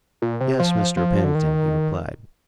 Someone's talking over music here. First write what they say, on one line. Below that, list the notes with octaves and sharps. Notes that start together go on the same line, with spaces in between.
"Yes, Mr. Pennington," he replied.
A#2
C3
F3
F3
D3
D#3